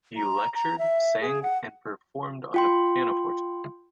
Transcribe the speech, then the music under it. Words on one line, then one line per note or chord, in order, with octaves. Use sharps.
He lectured, sang, and performed on the pianoforte.
A#5
A#5
E5
G#4
F#5
F4 G5 C6